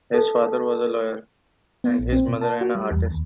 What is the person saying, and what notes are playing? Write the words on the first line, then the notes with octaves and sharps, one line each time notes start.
His father was a lawyer, and his mother an artist.
A4
B3
A#1
C4
B2
A5
F#4
G3
E2
D#2